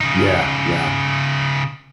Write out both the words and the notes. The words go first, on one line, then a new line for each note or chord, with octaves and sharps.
Yeah, yeah.
C#3 D#4